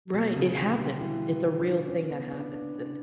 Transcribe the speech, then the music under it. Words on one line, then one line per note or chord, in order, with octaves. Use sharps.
Right, it happen. It's a real thing that happens. And,
B2
C#3
D3
G3
E3
D4
C#4
B3
D4
D4